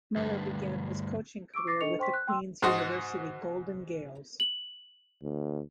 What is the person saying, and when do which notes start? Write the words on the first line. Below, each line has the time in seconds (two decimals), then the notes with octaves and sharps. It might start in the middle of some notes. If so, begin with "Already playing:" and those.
Muller began his coaching career with the Queen's University Golden Gaels.
0.16 D2 G2
1.54 C#6 D6 E6 D7
1.67 D6 A6 A#6 C7
1.81 D4 A4 D#5 C#6 C#7 F7
1.99 C5 G5 C6 C#6 B6
2.14 F#6
2.27 G5 C6 E6
2.62 G#2 D#4 F#4 C6
4.40 F#7
5.23 D2